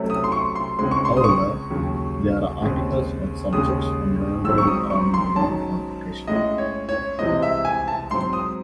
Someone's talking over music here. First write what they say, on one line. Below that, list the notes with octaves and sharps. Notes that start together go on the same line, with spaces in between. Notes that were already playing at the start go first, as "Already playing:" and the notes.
However, there are articles on subjects on railroading around the world on occasion.
Already playing: C3 F#3 A3 C#4
D#6
C6
C#6
C6
C#2 C#3 G#3 C4 C6
C#6
C6
D#6
C#6
D#2 C#3 F#3
D#2 C#3 G#3 C4
D#2 C#3 G#3 D#6
G#2 D#3 F#3 C4 E6
C#6
D#6
C#6
C6
G#2 D#3 F#3 C#4 A5
A2 G#3 C#4 D#5
C#5
C#5
C2 C3 E3 G#3 C4 D#5
E5
G#5
A5
G#2 F#3 C4 C6
D#6